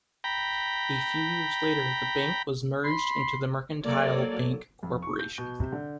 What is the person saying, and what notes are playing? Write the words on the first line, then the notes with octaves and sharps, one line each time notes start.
A few years later the bank was merged into the Mercantile Bank corporation.
G5 A#5 B5
B5 C6
F#3 A#3 A4 C#5 D5
F2
C#6
G6
B2
C3
D3